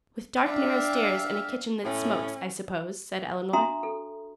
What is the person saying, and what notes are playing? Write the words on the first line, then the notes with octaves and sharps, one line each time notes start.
"With dark narrow stairs and a kitchen that smokes, I suppose," said Elinor.
D4 E5 F5 G5
A2 C#4
D4 F#4 E5 A#5 C6 D#6
A4